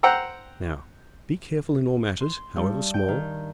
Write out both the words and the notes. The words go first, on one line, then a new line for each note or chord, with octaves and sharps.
Now, be careful in all matters, however small.
C5 F#5 G5 A#5 E6
C6
G2
G5
D#3